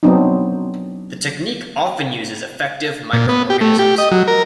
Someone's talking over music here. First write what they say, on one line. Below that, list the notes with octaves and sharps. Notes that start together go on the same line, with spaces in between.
The technique often uses effective microorganisms.
F#3 B3 C4 D4 D#4
A#2
B3
G4
A3
G4
D#5
F#3
A#4